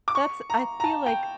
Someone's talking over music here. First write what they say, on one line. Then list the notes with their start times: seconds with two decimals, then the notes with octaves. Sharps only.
that's I feel like
0.08 D6
0.15 C#6
0.50 A#5
0.80 A#5
0.84 A5
1.06 G5